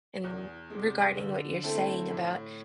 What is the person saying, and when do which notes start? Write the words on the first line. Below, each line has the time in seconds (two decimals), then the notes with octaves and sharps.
and regarding what you're saying about,
0.24 E2
0.70 C3 G#3
1.17 D3
1.63 A3 C4 E4 A4
2.10 A2